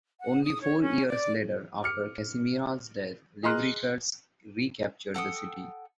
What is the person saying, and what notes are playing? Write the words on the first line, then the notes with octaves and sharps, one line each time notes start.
Only four years later, after Casimir's death, Liubartas recaptured the city.
F#5
D#6
C#5
C#4
D5
D6 F6 C#7
G#4 D#5 A#5 C6 F6 F#6
A4 F#5 G5 D#6